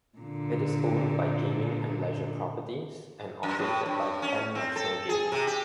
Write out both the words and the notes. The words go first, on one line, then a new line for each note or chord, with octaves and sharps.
It is owned by Gaming and Leisure Properties and operated by Penn National Gaming.
A#2 D3
F#2
A2
G2
C#4
C4
A4
G#4
C3
G4